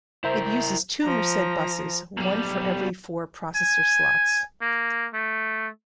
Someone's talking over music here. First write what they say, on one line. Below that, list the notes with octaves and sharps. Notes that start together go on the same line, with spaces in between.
It uses two Merced buses, one for every four processor slots.
E4 A#4 C5 E5 G6
F3 A#5
B1 G3
G#5
A#3
A3